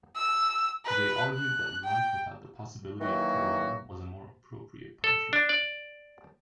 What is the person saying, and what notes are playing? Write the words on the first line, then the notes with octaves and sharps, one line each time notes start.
They argued that life without the possibility of parole was a more appropriate punishment.
E6
B4
F#6
G5
D#3 E3 F#3 A#3 F#4
A4
D4
D5